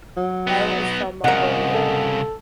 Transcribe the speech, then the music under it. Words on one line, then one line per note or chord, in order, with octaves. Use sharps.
Elle is from Mongolia.
F#3
B3 D#4
C2 C#3 A#4 D#5 F#5
A4